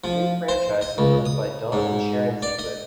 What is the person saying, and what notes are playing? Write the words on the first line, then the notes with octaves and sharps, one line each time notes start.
The new franchise was owned by Don and Sharon Ziegler.
F3
C5
D#5
C#2
D#6
G#2
D5
D#5